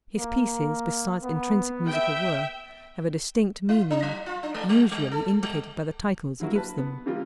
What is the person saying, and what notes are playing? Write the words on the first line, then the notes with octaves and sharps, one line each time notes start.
His pieces, besides intrinsic musical worth, have a distinct meaning, usually indicated by the titles he gives them.
A#3
B3
E5 G5
E4
D4
F#3
F4
D4
G#3
G3
G3
A4
G3
D3 F#3 A#3 E4 F#4
B4 A5
B3
C#3 E3 G3 A#3 F4